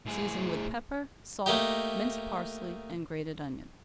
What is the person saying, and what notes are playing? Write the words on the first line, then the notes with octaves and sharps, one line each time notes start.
Season with pepper, salt, minced parsley, and grated onion.
A2 G#4
A3 A#3 D#4 G4